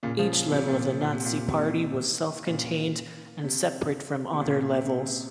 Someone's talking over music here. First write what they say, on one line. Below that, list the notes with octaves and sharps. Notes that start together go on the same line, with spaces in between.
Each level of the Nazi Party was self-contained and separate from other levels.
A#2 C#3
C#3 F3
C3
A#2
C3
A#2
C3
A#2
C3
C3
A#2 C#3
C3
C3
A#2 C#3
A#2
C3